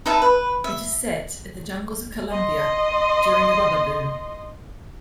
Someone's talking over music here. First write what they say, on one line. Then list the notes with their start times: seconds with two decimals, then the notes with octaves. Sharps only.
It is set in the jungles of Colombia during the Rubber boom.
0.06 D#4 B4 E5 A5
0.22 B4
0.64 E5
2.31 D#5 C6